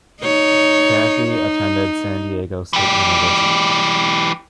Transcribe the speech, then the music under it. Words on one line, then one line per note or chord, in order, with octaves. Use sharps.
Kathy attended San Diego State University.
D#4 C#5
D#4
E3 G4